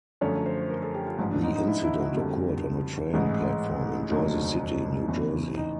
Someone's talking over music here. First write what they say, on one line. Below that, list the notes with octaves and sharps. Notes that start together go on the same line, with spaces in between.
The incident occurred on a train platform in Jersey City, New Jersey.
F#2 D3 F3 A3 C#5
C5
A#4
A4
G4
F4
A1 G#2 F3
D4
D#4
D#4
E4
E4
F#4
F2 D3 G3 A#3
A1 G#2 E3 G#3
F1 D#2 D3 F#3 A#3 D#4
E2 C#3 E3
D#4